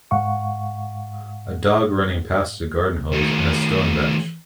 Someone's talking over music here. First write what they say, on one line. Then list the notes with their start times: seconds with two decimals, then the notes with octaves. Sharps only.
A dog running past a garden hose and a stone bench.
0.11 G#2 F5 F#5 C#6
3.12 D#3 A3